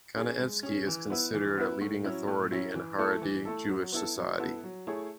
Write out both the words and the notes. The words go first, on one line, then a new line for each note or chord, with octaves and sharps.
Kanievsky is considered a leading authority in Haredi Jewish society.
C#4 G#4
G#3
C#4 G#4
E3
B3 E4 B4
E3
B3 E4 B4
A2
F#3 C#4 E4
A2
F#3 C#4 E4
E3
A3 E4 A4
E3
A3 E4 A4
F#3
B3 E4 A4
F#3
B3 E4 A4
F#3
A3 E4 G#4 C#5